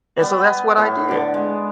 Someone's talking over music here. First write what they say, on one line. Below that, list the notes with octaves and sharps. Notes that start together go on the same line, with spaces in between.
and so that's what I did,
G3 B3
G#5
A2 B3 C#6
D3 D6
G#3